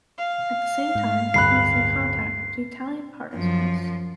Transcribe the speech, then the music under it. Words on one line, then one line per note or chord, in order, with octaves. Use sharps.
At the same time he was in contact with the Italian partisans.
F5
G#2
D1 G2 B5 F#6 C7
F#2 F3